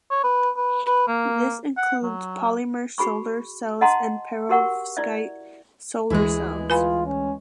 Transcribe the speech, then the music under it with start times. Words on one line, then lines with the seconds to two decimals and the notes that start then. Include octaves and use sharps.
This includes polymer solar cells and perovskite solar cells.
0.11 C#5
0.24 B4
0.57 B4
0.87 B4
1.08 A#3
1.77 F#5
2.03 F#3
2.98 F#4 G#4 B5 C#6
3.81 D#5 F#5 A5 A#5 C6
4.49 F#4 G4 A#4 F#5 C#6
4.97 E4 D5 E5
6.10 D2 E3 G#3 E4 G#4
6.70 F4 B4 G#5 B5
7.06 C#4